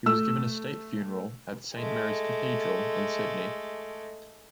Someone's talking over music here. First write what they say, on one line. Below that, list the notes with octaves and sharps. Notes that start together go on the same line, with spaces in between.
He was given a state funeral at Saint Mary's Cathedral in Sydney.
A3 E6
G#3 A3